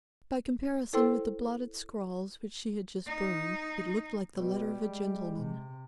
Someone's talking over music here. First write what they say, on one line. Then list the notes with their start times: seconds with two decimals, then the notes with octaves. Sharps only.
By comparison with the blotted scrawls which she had just burned, it looked like the letter of a gentleman.
0.93 E4 A4 C5 G5 C6 E6
3.06 D#4
4.36 B2 G3
4.80 G#3
5.38 C3